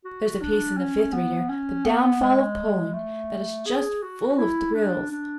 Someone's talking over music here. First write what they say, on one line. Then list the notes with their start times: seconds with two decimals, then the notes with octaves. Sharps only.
There is a piece in the Fifth Reader--'The Downfall of Poland'--that is just full of thrills.
0.05 F#4
0.41 D4
0.77 C#4
1.13 B3
1.49 C#4
1.85 B3
2.22 G#3
2.94 A3
3.67 G#4
4.03 F#4
4.38 E4
4.74 D4
5.11 D4